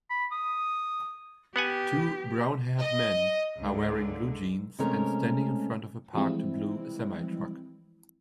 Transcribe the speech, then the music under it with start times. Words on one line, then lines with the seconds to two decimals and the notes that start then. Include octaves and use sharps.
Two brownhaired men are wearing blue jeans and standing in front of a parked blue semitruck.
0.10 B5
0.32 D#6
1.56 B3 G4 F#5 G#5
2.78 D#5
3.58 C#2 G#2 D3
4.79 C3 G#3 A3 C#4 A#4 A#5
6.13 E3 F3 G3 G#3 C4 E4